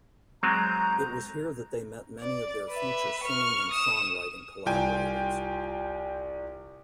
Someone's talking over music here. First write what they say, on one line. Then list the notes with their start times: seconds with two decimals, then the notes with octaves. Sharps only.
It was here that they met many of their future singing and songwriting collaborators.
0.43 F#3 G#3 C4 A#5 G6
2.20 D5
2.70 B4 E5
3.24 C#6 F6
3.72 D#6 E7
4.66 C2 F4 G5 G#5